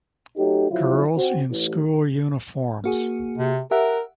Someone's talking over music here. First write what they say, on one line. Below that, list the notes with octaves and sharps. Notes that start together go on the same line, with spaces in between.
Girls in school uniforms.
F#3 A3 D#4 G4
C2 F3 F#3 E4 F4
C4 F#4
A1
A#3 F#4 G#4
C3
G4 A#4 E5 F#5